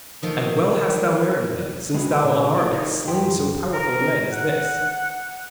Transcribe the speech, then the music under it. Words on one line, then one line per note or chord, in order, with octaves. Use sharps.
And well hast thou merited them, since thou unarmed hast slain so powerful a knight as this.'
D#3 F3 A3
G#3 B3 C4 E4 F#4 G#4
A#2 B3
C2 E4 D5
D#4 G4 A#4 F5
F#2 G4 E5 F#5 G5 C6
A#4
F#5